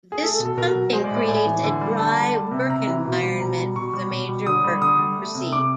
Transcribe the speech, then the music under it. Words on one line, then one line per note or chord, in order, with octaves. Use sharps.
This pumping creates a dry work environment for the major work to proceed.
G#4
A3 A4
A4
B2
A4
B2 A#4
F#3
G#3 C5
D5
A2
D5
A2 G#5
E3
D3
G3
D3 A5
G3
G3
C3
C3 A#5
E3
B2
G3
B2 A#5
G3
B2 C#6
G3
B2
G3
D3 D#6
G3
D3 D#6
G3
A3
C3
C3 D6